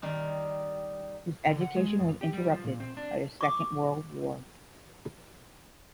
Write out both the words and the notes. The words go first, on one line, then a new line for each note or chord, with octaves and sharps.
His education was interrupted by the Second World War.
D#3 G3 D#4
D3
F#5
G#3
F2
G4
G3
F3
A#2
C4
D4
C#6 D6